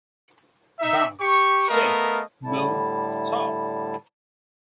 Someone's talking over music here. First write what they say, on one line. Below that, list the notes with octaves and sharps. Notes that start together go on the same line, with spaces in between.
Bounce, Shake, Move, Stop!
D#4 E5
G4 C#6
A3 B3 A#4 D#5 F5
A2 D3 G3 E4 A5